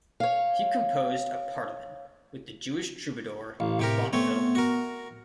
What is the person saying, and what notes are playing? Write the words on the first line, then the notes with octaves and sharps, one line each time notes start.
He composed a "partimen" with the Jewish troubadour Bonfilh.
C#5 F5
A1 F5
A2 C3 G4 A#4
A3 B3 C4 C#5
F#4 A#4